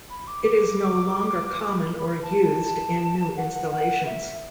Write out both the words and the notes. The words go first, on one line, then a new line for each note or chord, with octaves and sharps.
It is no longer common or used in new installations.
B5
D6
D6
B5
A5
A5
F#5
F#5
E5